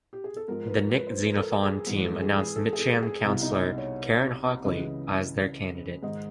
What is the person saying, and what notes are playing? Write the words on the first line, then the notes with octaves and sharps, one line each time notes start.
The Nick Xenophon Team announced Mitcham councillor Karen Hockley as their candidate.
G4
G#4
A4
G#2 F3 A#4
B4
A#4
B4
C5
B4
A#4
A4
G#4
G#2 E3
A4
G#4
G#4
A4
G#4
A4
G#4
C2 B2 E4
D#4
C#5
C#2 C#3 E3 D#5
G#2 D#3 D#5